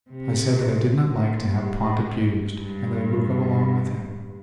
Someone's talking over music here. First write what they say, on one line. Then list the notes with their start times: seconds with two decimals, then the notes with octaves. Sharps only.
I said that I did not like to have Pont abused and that I would go along with him.
0.10 C3
1.11 A#2
1.44 G2
1.78 G#2
2.45 G2